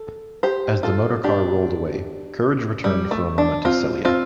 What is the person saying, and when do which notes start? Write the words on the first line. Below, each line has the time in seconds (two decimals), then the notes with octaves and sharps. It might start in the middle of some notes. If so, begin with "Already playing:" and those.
As the motorcar rolled away, courage returned for a moment to Celia.
Already playing: A4
0.43 G4 C5
0.83 F4 A4
1.24 D4 G4
2.84 G3
3.11 A3
3.38 D4
3.65 C4 F4
4.05 C4 F4